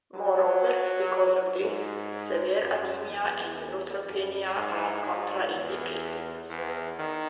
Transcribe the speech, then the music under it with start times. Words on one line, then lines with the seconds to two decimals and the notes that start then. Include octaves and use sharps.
Moreover, because of this, severe anemia and neutropenia are contraindicated.
0.14 F#3
1.61 G#2
2.59 F#2
3.07 E2
4.06 F#2
4.55 G#2
5.04 G#2
5.53 E2
6.50 E2
6.99 D#3